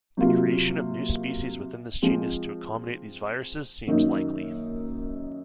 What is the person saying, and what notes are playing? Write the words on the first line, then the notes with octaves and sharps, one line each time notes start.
The creation of new species within this genus to accommodate these viruses seems likely.
C3 F#3 A#3 F4
F3 G#3 C4
F#2 D#3 A#3 D#4